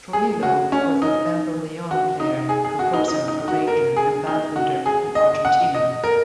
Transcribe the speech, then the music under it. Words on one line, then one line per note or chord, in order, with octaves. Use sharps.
Troilo was a bandoneon player, composer, arranger and bandleader in Argentina.
G#4
F#4
C#4
D#4
F#4
D#4
G#4
G#4
F#4
D#4
D#4
D#4
F#4
A#4
G#4
D#4
F#4
G#4
D#5
F#5
D#5
A#4